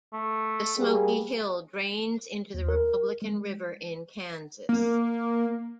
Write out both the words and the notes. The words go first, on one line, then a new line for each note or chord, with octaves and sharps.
The Smoky Hill drains into the Republican River in Kansas.
A3
G3 A#3 G#4
D#2
A#4
G#3
A#3